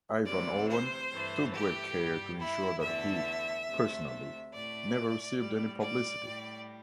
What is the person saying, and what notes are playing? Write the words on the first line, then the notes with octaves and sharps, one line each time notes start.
Ivan Owen took great care to ensure that he, personally, never received any publicity.
D2 C3 E3 D5
C5
G2 E3 A3
G4
G2 G3
E4
E2 D3 A3 E5
D2 C3 A3
A2 A3 D5
A2 G3
D5
A2 G3